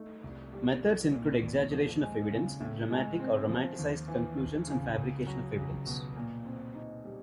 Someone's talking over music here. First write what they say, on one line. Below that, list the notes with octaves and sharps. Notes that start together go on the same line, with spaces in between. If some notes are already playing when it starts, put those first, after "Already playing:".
Methods include exaggeration of evidence, dramatic or romanticized conclusions, and fabrication of evidence.
Already playing: A3 D#4
C2
G3
C2
A#2
D#2
F3
G#3
C#3
A2
G#3
C4
F3
D#2
E3
D#2
C#3
C#2
F#3
C#2
B2
A#2
C4
D#4
G3